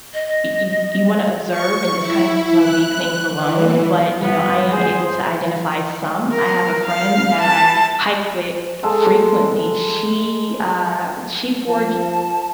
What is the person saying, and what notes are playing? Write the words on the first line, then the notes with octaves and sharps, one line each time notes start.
y you wanna observe and just kinda leave things alone, but, you know, I am able to identify some. I have a friend that I hike with frequently, she, uh she forages
D#5
C#6
E4
F#6
E3
G2 D#3 F3 B3
G#4 C5
A#4
F5
A5
G#3 A4 A5
F3 A5